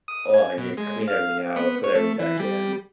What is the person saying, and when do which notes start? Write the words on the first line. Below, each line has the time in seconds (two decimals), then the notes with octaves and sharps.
oh, I need to clean everything out, put everything back in.
0.08 D#6
0.34 G#5
0.57 B2
0.77 G#3
1.08 F5
1.56 B3
1.84 C#5
1.95 A3
2.20 E3
2.39 G3